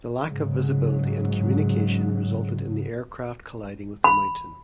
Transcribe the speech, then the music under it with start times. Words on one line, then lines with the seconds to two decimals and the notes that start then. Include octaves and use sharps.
The lack of visibility and communication resulted in the aircraft colliding with the mountain.
0.23 G#2 C#3 F#3
4.04 B5